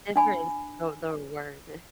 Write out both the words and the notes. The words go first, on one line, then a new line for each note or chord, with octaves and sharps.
difference the their word.
D4 G#5 B5